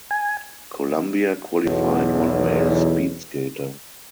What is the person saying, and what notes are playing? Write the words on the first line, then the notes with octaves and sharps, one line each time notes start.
Colombia qualified one male speed skater.
G#5
B1 E2